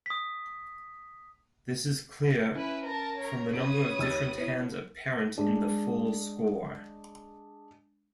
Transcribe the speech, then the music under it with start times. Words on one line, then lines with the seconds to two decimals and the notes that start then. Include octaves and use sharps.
This is clear from the number of different hands apparent in the full score.
0.06 D#6 B6
2.55 C#4 E4 B4
2.85 A#4 A5
3.20 A#4 C#5
3.53 C#3 B4 C#5 D#6 D7
3.99 D#2 E6 A6
4.38 B3 E4
5.38 G#3 D4